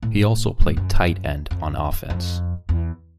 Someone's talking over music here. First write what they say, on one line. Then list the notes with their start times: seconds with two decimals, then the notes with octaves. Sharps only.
He also played tight end on offense.
0.02 A2
0.61 G#2
0.77 F#2
1.51 F2
2.10 F2
2.69 E2